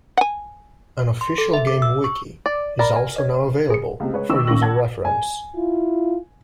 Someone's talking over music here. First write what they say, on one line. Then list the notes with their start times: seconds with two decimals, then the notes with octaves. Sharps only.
An official game wiki is also now available for user reference.
0.17 F#5 G#5
1.21 C6
1.38 A4
1.53 E5
1.67 D6
1.82 E6
2.04 C#6
2.46 D5
2.79 A#4 D5 B5
2.96 G#5
3.16 C#5 D#5
3.70 G#4 C#7
4.00 C#2 C3
4.13 G#3 B4 C#5
4.29 D#3 D#5 C#6 D6 E6 E7
4.47 D#3 A#3 C#4 C#6 A#6 F#7
4.62 F#5 A5 G#6
5.05 G#5
5.55 E4 F4